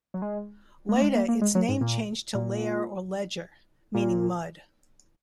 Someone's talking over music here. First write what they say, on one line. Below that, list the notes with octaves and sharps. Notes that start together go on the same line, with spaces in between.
Later its name changed to Leire or Leger, meaning 'mud'.
F#3
G#3
G#3
A#3
G#3
A#3
A#3
G#3
F#3
G#2
A#2
A#2
A#2